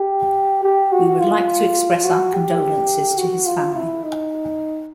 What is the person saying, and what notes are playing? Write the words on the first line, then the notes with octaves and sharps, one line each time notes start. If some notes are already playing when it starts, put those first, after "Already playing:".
We would like to express our condolences to his family.
Already playing: G4
G4
F#4
F4
F#4
G4
F#4
F4
E4
D#4